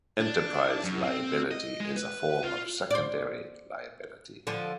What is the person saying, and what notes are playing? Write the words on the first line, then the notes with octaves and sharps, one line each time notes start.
Enterprise liability is a form of secondary liability.
D4
F#2
C4
D#5
G#3
B4
F4
C5 D5
D3 F3